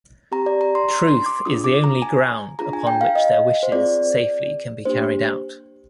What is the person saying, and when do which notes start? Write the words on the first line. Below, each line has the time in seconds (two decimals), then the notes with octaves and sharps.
Truth is the only ground upon which their wishes safely can be carried out.
0.32 C4 G4 A#5
0.46 D5
0.61 A#5
0.75 C6
0.88 C6
1.08 C6
1.26 D6
1.45 D4 F4 G#4 D#6
1.64 D6
1.84 A#5
2.02 G#5
2.59 D4 F4 G#4 A#5
2.73 G#5
2.87 G5
3.01 F5
3.15 D#5
3.63 C5
3.72 C4 F4 G#4 D5
4.85 A#3 D4 G4 C5